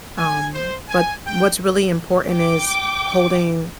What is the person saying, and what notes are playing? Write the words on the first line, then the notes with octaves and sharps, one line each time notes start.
um, but what's really important is holding
G#5
C5
G#5
G5
G5 D6